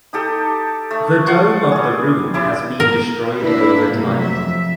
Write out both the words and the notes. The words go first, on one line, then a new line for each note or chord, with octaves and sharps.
The dome of the room has been destroyed over time.
D#4 G4 A4
A3
F#5 C6 C#6
G3 G#4
G3 E4 D5 C6
A#4
A#3 D4 E4 B4
A2 C3 F#3 A#3
F2 E5